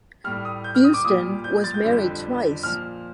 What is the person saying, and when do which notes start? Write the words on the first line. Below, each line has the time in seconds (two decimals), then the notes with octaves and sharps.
Buston was married twice.
0.24 A2 G3 F6
0.45 D#6
0.64 G6
0.75 F6
0.84 D#6
0.94 D6
1.05 A#2 G3 D#6
1.44 G6
1.64 A6
1.74 G6
1.84 F2 D3 G3
2.63 A#2 F3 F6